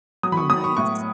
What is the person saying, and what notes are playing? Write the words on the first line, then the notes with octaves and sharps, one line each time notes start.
Oh, nice.
F#3 D#6
B5
C#6
F#3 D#6
C#6
A2 C#6